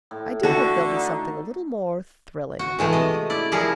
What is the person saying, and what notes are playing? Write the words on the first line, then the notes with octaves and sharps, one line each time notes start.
I do hope there'll be something a little more thrilling about it.
A2
D3 F#4 A4
D#4
F#4
E3 G#3 A3 B3
C3 D#5
E4 D5
F3 G3 E4 G#4 A#4